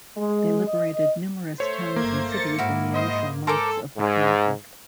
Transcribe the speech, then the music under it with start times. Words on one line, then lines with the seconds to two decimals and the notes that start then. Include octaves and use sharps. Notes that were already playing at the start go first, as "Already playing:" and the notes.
They liberated numerous towns and cities in the initial months of the conflict.
0.18 G#3
0.68 D#5
1.60 A3 C5 C#5
1.96 G1 A#3 A#5 G#6
2.30 A6 A#6 C#7
2.58 G#2 E4 F#4 F5
2.94 C5 D#5
3.47 A4 A#4 C5 G#5 A5 C6 D6
3.98 G#2